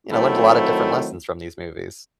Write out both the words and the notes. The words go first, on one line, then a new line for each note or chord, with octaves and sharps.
you know, learned a lotta different lessons from these movies.
D#3 F#3 A3 C4 E4